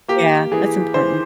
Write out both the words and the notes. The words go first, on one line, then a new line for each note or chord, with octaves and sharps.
Yeah, that's important.
A#3 G4
E3 G#4
E3 C5